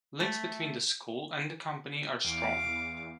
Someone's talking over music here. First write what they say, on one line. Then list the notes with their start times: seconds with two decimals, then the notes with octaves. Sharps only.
Links between the School and the company are strong.
0.20 A3
2.25 E2 F5 D6